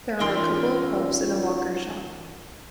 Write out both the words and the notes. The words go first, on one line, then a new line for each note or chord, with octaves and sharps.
There are a couple of pubs and a walkers' shop.
E3 C#4 D#4 F4 A#4 E5 C6 E6